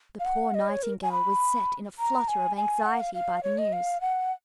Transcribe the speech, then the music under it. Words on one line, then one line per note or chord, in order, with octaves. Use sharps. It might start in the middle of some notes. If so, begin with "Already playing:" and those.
But the poor Nightingale was set in a flutter of anxiety by the news.
F5
F#5
D#5
C#5
A#4
G#5
B5
A#5
G#5
G#5
F#5
F5
F5
C#5
D#5
F5
F#5